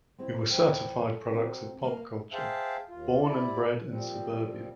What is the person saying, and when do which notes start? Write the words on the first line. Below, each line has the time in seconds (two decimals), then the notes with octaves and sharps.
We were certified products of pop culture, born and bred in suburbia.
0.18 G#3 C4 E4
0.50 E2 E4 C5 G5
1.06 C#4 A4
1.32 C4 D#4 F#4
1.84 A#3
2.33 G#4 C5 E5 F5 G5 A5
2.89 D#2 F4
3.23 C3 E4 D5
3.88 A#2 F3 G3 C4